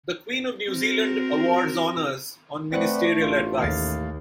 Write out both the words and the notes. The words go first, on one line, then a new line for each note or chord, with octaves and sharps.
The Queen of New Zealand awards honours on ministerial advice.
C4 F#4 A#4
A3 C4 B4 C5 D5 F#5 F#6
A1 D4 F4
D#2 A3 F5 A6